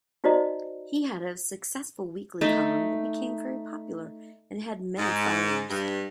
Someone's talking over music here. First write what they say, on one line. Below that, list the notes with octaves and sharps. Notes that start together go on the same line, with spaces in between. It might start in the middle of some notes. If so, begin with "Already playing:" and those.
He had a successful weekly colum that became very popular and had many followers.
D#4 F#4 C5 D5 D#5 A#5
A3 D#4
G#2
G2